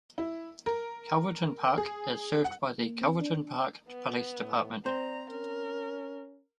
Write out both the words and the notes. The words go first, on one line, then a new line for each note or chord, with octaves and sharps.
Calverton Park is served by the Calverton Park Police Department.
E4
A#4
G#4
F#5
A#3
C4
D4
B3
A2
C4 C5 D5 A#5
C#4 A#4